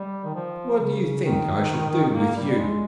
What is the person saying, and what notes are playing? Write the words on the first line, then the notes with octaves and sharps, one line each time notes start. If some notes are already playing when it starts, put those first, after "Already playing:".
What do you think I shall do with you?'
Already playing: G3
D#3
F3
C#3
D#3
A#3
G3
G3
G#3